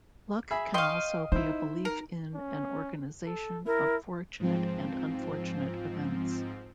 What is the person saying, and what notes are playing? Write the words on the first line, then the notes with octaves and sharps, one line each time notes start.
Luck can also be a belief in an organization of fortunate and unfortunate events.
G#4 E5 B5
D#5 F5 G5 C6 C#6
D#4 E4 C5
A#4
C#4
A4
E4 A#4
G#2 F3 C4